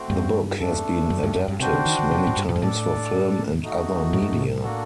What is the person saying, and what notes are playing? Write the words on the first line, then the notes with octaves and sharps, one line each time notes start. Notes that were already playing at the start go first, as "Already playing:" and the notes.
The book has been adapted many times for film and other media.
Already playing: A3 C4 F#4 C5 G5
G2
A3 D4 A4
F#2
G2
F#2
G2
C3 D4 F#4 C5 G5
D3
D#3
D#3
C3
A2
G2
A#2
G2
A2 D4 A4 D5 A5
A3 D#4 F#4
A2
G2
A2
A#3 D4 F#4 A4